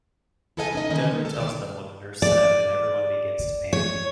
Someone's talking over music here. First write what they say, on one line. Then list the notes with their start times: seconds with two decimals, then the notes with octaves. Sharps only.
Debra tells them what the nurse said and everyone begins to panic.
0.57 E4 G#4 A4 D#5 E5 G#5
0.73 C#4 D#4 D#5
0.90 D3 D#3 C#4 D#5
1.11 B2 G#3 A#3
1.25 A4
1.37 B2 D#3 D5
2.22 D5
3.73 C#5